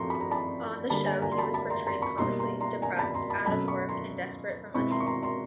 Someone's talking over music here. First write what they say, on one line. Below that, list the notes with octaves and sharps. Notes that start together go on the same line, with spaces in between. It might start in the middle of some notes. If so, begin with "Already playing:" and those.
On the show he was portrayed comically; depressed, out-of-work, and desperate for money.
Already playing: A2 F3 A3 C4 A#5 C6 C#6
B5
A#5
A5 B5
D3 G3 A#3 A5 B5
G#5 A#5
G#5 A#5
C6
A5 B5
A5 B5
A#5 C6
A#5 C6
B5 C#6
B2 G3 A#3 D#4 A#5 C6
A#5 C6
A#5 C6
G#5 A#5
A5 B5
A#5 C6
A5 B5
B2 F#3 A3 C#4 A5 B5
B5 C#6
A#5 C6
B2 G#3 C4 E4 B5 C#6
A#5 C6
C#6
A#5 C6
A#5 C6